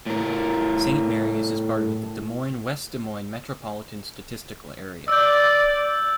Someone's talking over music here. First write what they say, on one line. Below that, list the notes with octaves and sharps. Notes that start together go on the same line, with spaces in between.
Saint Marys is part of the Des Moines-West Des Moines Metropolitan Statistical Area.
A2 A#4
D5 E6 G6